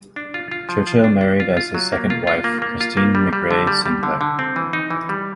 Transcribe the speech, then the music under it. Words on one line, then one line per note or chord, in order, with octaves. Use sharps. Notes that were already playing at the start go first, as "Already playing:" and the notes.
Churchill married as his second wife Christine McRae Sinclair.
D4
F4
F4
F3
F4
D4
D4
F4
F4
F#3
A#3
F4
F4
A#3
A#3
F4
A#3
G3
G3
D3
G3
G3
D3
D3
C4
E3
D#4
E3
G3